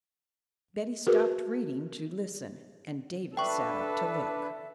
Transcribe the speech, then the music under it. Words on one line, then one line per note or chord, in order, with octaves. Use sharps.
Betty stopped reading to listen, and Davy sat up to look.
F#4 G#4 A#4 B4
D4 A4 B4 E5 G5 C#6